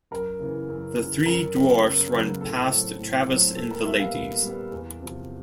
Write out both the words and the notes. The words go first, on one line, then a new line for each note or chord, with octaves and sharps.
The three dwarfs run past Travis and the ladies.
F#2 A#4
C#3 E3
F#2
C#3 E3
F#2 A#4
C#3 F#3 B3
F#2
C#3 F#3 B3
A2 A4
F#3 A3 C4
A2
F#3 A3 C4
A#2 A4
A#4
G3 B3 E5
F5
A#2
G3 B3
E2
C3 F3